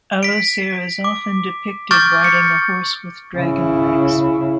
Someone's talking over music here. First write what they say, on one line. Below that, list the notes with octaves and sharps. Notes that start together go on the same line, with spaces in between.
Allocer is often depicted riding a horse with dragon legs.
B6 D7
D6
C#6 D6 F6 G6 A6 D7
C#7
C#3 E4